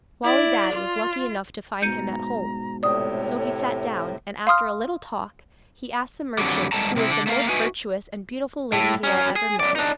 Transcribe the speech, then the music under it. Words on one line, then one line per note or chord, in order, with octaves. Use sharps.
Wali Dad was lucky enough to find him at home, so he sat down, and after a little talk he asked the merchant who was the most virtuous and beautiful lady he had ever met with.
E4 D5
F4
G#2 B2 A#5 G6 C#7 D#7
A2 C3 A4 C#5 D5 G5 D#6
F5 C6 D#6 F6
F2 D3 F#3 G3
A2 G3 G#3 A4 A5 A#5
C3 C4 E4
D3
A3 A#3 F5
D#4 E4 F#4 B4 G#5
A2
F#3 C#4
G#4
F#2 D5
D4 D#4